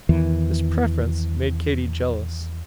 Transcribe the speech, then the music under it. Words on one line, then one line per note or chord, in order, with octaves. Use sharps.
This preference made Katy jealous.
E2 D#3 E3